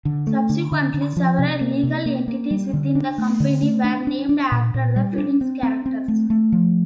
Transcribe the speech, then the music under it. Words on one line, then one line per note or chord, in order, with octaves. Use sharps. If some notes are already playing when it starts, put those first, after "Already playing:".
Subsequently, several legal entities within the company were named after the film's characters.
D3
A3
D3
D3
D3
F3
C3
A#3
C3
A#3
A#3
G3
D3
D4
A3
D3
A3
D4
D4
D4
A#2
A#2
G3
D4
C4
C4
C4
A3
A3
F3